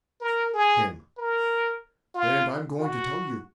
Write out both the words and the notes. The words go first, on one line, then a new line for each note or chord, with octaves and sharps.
HIM: And I'm going to tell you.
A#4
G#4
A#4
F4
F#4